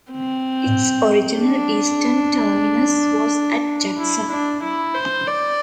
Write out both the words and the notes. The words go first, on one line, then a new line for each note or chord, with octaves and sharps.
Its original eastern terminus was at Jackson.
C4
D4
E4
D4
E4
C5
D5